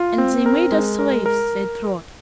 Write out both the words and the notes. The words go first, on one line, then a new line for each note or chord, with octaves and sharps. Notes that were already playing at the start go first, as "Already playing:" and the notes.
"And they made us slaves," said Trot.
Already playing: F4
C4
A#4
G#3
A#4
A#4